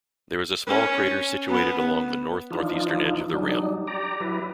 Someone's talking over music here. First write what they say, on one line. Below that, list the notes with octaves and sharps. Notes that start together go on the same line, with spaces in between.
There is a small crater situated along the north-northeastern edge of the rim.
C#4
B3
E3 F3 D4 D#4 F4
F#3 G3 D4 D#4
G4 D5 A#5
F#3 E4 B4